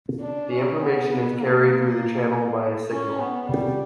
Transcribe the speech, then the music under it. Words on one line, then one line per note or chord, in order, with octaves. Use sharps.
The information is carried through the channel by a signal.
D4
C#4
B3
B3
A#3
C#4
B3
G3